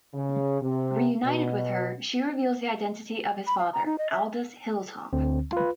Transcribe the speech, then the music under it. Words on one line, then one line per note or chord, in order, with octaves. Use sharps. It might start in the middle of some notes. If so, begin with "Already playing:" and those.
Reunited with her, she reveals the identity of his father: Aldus Hilltop.
C#3
C3
B2
B5
F5
A#5
D#4
D#5
E5
D2 D3 C4
F4 B4